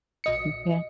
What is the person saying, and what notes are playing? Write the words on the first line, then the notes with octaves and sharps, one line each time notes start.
M yeah.
A#1 D#5 C#7